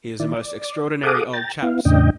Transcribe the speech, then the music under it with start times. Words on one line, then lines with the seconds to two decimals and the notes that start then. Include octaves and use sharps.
He is a most extraordinary old chap, sir.
0.20 D#3 E4 D5
0.39 D5
1.03 G#4 A4 F5 F#5 D6 D#6
1.33 G5 A#5 A6
1.62 B3 E4 F5
1.85 E2 A2 C#3 D4 D#5 G5